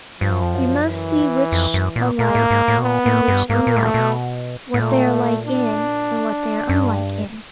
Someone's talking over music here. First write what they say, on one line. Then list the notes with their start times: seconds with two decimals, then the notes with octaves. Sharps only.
You must see which are like, and which unlike; what they are like in, and what they are unlike in.
0.21 G2 F3
0.32 F#2
0.43 F2
0.54 F#2
0.87 E3
1.52 F2
1.74 F#2
1.96 A#2
2.19 A#2 A#3
2.35 A2
2.51 G#2
2.68 A2
2.78 B2
2.84 A#2 B3
3.06 A2
3.28 G2
3.49 G#2 A#3
3.67 A#2
3.76 A2
3.82 A#2 A3
3.94 A#2
3.99 B2
4.74 A2
4.81 A#2 A3
5.47 D4
6.69 F#2
6.79 G2